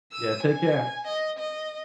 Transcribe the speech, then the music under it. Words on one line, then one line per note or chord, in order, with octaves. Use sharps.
Yeah, take care.
E6 D#7
G#5
D#5
D#5